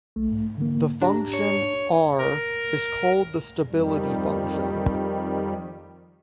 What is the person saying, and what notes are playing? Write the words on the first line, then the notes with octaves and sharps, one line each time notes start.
The function "r" is called the "stability function".
B1 A3
G#2
D3 E3 A#3
D4 G4 A#5
C#5
A#4
F2 D#3 G3